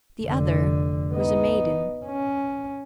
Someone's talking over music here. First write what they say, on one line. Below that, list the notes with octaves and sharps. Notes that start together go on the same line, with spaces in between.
The other was a maiden.
F1 D3
B3 D#4
C#4